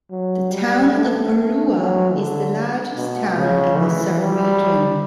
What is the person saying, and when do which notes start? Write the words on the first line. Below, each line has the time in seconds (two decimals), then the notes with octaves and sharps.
The town of Arua, is the largest town in the sub-region.
0.11 F#3
0.52 G3
0.93 A3
1.75 F#3
2.15 D3
2.96 B2
3.37 C#3
3.78 E3
4.19 G3